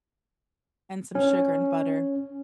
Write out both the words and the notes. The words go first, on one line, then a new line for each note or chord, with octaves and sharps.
and some sugar and butter,
C#4